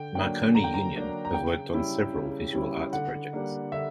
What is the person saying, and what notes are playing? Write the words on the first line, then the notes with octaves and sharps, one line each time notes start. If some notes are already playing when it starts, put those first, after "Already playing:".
Marconi Union have worked on several visual arts projects.
Already playing: D3 G5
F#3 A#3 D4 G5
D3 A#5
G5
A#5
F#3 A#3 D4
A#5
C#3 G5
G3 C#4 E4
C#3
G3 C#4 E4
D3 F#5
G3 A#3 D4
D3 E5